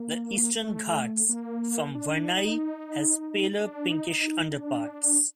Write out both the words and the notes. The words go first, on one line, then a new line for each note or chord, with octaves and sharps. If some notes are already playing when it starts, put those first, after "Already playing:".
The Eastern Ghats form "vernayi" has paler pinkish underparts.
Already playing: A#3
A3
A#3
D4
D4
D#4
D4
D#4
D4